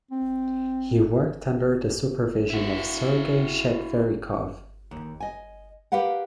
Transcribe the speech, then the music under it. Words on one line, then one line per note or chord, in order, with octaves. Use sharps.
He worked under the supervision of Sergei Chetverikov.
C4
E4 F#4
D#2
D#5 G#5
G4 A#4 B4 F5 F#5